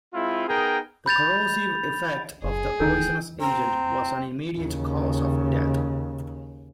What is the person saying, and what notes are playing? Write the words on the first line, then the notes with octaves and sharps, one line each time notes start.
The corrosive effect of the poisonous agent was an immediate cause of death.
G#3 C4 E4 F4
B3 D#4 G#4 A#4 G5
B5 G6 A6 F7
F#1 G#4
D#1 D2 D#3 D#4 A4 G5
C4 A#5
D#2 C#3